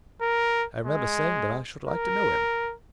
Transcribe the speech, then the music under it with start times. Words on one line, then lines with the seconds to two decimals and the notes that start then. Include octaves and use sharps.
I remember saying that I should like to know him.
0.22 A#4
0.84 G#3
1.88 A#4